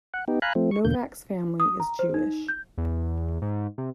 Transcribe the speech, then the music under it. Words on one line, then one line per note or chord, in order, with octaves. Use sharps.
Novak's family is Jewish.
F#5
B3 D#4 G4
F5 G#5 A#5 B5 F#6
F3 A3 C4
C#6
E2 B2 D3 A#3 G6
D#6
A#5
C5
D#4
G6
E2
G#2
C3